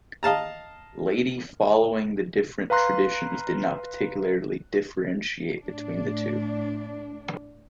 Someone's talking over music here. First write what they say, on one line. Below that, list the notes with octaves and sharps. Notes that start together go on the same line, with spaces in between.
Laity following the different traditions did not particularly differentiate between the two.
D#5 F5 A5 A#5
B4 F5 A#5 C6 F#6
A2 D4